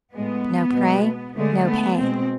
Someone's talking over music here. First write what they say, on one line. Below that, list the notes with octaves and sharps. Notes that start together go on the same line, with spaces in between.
No prey, no pay.
A2 G#3 B3
B2 G#3
D3 G#3 A3
B3
B2 G#3 C4